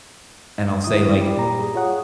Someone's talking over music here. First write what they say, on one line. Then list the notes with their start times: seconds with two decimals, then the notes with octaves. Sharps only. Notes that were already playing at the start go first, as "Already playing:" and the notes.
and I'll say, like,
0.84 D#3 E4 D#6
1.10 G3
1.37 A#2 A#5
1.58 G#4
1.75 F4 C#5 F#5